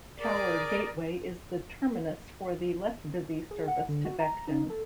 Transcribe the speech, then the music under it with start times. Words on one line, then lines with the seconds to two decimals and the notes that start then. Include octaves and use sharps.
Tower Gateway is the terminus for the less busy service to Beckton.
0.18 G#4 A#4 D5
3.51 G#4
3.68 F#5
3.89 D3
4.05 F#4
4.20 A#5
4.47 D#4
4.70 A4